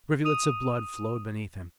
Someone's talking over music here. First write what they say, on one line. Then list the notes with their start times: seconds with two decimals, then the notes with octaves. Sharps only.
Rivulets of blood flowed beneath him.
0.25 D#6 D#7 F7